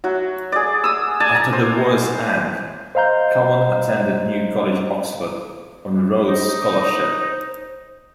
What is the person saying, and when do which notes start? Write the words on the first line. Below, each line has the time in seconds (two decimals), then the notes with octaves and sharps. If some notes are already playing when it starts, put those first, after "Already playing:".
After the war's end, Cowen attended New College, Oxford, on a Rhodes Scholarship.
0.04 F#3 F#4
0.52 G#4 D5
0.84 D#6 E6
1.20 D5 G#5 A5
1.35 A#5
1.53 C5
2.95 C5 D#5 F5 A#5 G6
6.28 D#4 C5